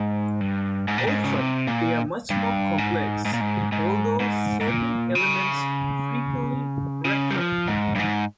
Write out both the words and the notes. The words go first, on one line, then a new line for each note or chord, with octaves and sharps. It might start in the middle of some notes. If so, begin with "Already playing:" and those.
Often they are much more complex, although certain elements frequently recur.
Already playing: G#2
G2
G#2
A#2
G#2
C#3
C3
A#2
G2
G#2
G#2
A#2
G#2
G#2
G#2
G#2
A#2
C#3
C#3
G3
F3
G#2
G2
G#2